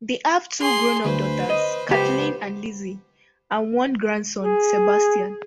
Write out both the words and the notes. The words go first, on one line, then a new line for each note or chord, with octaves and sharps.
They have two grown-up daughters, Kathleen and Lizzie, and one grandson, Sebastian.
G#4 C6
D2 B4 C5
D#5
C#2 B3 G4 C5
G#4